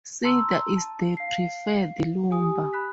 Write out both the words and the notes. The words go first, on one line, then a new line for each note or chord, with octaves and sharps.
Cedar is the preferred lumber.
A5 A#5 C6 E6
A5
F5 C7
G4 G#5 D#6
B5 F#6 B6